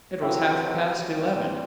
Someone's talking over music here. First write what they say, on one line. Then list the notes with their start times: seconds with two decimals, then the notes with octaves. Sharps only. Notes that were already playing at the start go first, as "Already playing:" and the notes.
It was half-past eleven.
0.21 A2 F#3 C4 E4 F#4 G4 B4
1.09 G2 E3 G3 C4